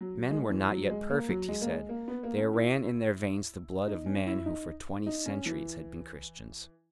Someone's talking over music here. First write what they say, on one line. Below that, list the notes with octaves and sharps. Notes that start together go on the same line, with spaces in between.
Men were not yet perfect, he said; there ran in their veins the blood of men who for twenty centuries had been Christians....
F#3
G#3
E3
F#3
G#3
A#3
F#3
G#3
A#3
G#3
A#3
B3
A#3
C#4
E4
D#4
C#4
E4
D#4
D#4
C#4
E3